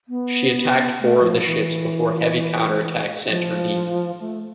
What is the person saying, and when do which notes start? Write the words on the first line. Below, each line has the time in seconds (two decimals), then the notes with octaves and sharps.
She attacked four of the ships before heavy counter-attack sent her deep.
0.09 B3
1.00 A3
1.23 F3
1.45 E3
3.29 F3
4.20 A3